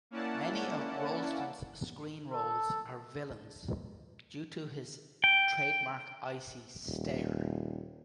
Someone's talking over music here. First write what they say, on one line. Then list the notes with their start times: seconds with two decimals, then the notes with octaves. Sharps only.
Many of Rolston's screen roles are villains due to his trademark icy stare.
0.11 A#3 C#4 E4 D5 F#5 A5
2.32 A4
5.24 G5
6.87 D#1